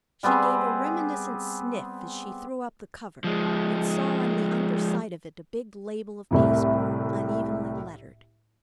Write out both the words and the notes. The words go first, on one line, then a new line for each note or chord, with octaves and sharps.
She gave a reminiscent sniff as she threw up the cover and saw on the under side of it a big label of pasteboard unevenly lettered.
G3 B3 C4 G#4
F3 G#3
C2 A2 C3